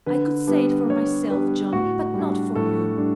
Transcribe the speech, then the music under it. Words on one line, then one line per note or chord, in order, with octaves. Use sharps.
I could say it for myself, John, but not for you.
D3 B4
G3 B3 D4
D3 C#5
G3 B3 D4 B4
A2 F#4
G3
D4
A2 A4
G3 D4